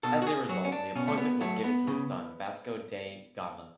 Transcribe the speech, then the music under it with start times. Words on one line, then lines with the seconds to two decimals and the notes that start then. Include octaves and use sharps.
As a result, the appointment was given to his son, Vasco da Gama.
0.03 B2 A4
0.22 F#4
0.27 G#4
0.49 F#3 F#4
0.64 C#4
0.72 D4
0.95 B2 C#4
1.07 A3
1.18 B3
1.41 F#3 A3
1.64 B3
1.87 C#3